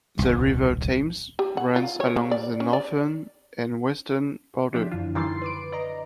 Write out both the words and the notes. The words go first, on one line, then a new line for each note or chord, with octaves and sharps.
The River Thames runs along the northern and western border.
D#1 C2
G4
F#5
F4
C#5
A#3
D5
C#4
D5
F3 D4 G4 E5
F#2 D3 E3 F4
D#3 E3 G3 C6 A6 C7
B4 D6 D7
D5 D#5 A#5